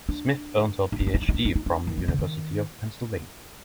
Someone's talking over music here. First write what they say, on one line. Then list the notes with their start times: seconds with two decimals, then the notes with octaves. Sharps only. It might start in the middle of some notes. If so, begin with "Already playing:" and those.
Smith earned her Ph.D. from the University of Pennsylvania.
0.09 D4
0.92 D4
1.00 D#4
1.07 D4
1.15 D#4
1.22 D4
1.29 D#4
1.34 D4
1.45 D#4
1.56 D#4
1.66 D4
1.87 D#3
1.98 F3
2.08 D3
2.19 D#3